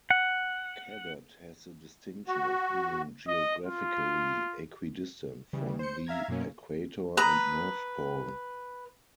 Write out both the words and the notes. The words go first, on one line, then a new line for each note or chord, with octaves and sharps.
Cadott has the distinction of being geographically equidistant from the Equator and North Pole.
F#5
F#4
D#5
F4
C#3 E3 G3
C5 G6 C#7
E5 F5 A#5 G#6
F#2 B2 F#3 A#3 C#4
B4 A#5 D#6